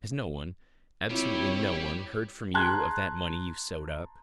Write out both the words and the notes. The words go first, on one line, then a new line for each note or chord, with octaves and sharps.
Has no one, absolutely no one, heard from you of that money you sewed up?
C3 G3 E4 F4 G4 C#5
A5 A#5 C6 F#6 G#6